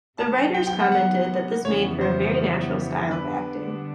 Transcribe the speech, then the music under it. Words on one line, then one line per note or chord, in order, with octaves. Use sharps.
The writers commented that this made for a very natural style of acting.
C3 D#3 F#3 B3 A5
G5
G5
F#5
F#5
F2 C#3 E3 G3 B3 C#5
C5
D3 G3 B3 D4 B4